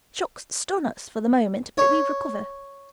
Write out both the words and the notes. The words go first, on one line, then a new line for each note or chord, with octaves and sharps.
Shocks stun us for the moment, but we recover.
C#5